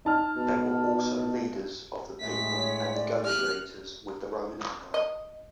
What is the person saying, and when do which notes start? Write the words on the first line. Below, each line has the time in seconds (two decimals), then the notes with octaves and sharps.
They were also leaders of the people and negotiators with the Roman Empire.
0.05 D#4 A5 F6
0.36 B2
2.20 A2 G#3 A3 E5 B6
2.57 C#5
2.93 D5
3.24 G4 F6 F#6
4.94 D#5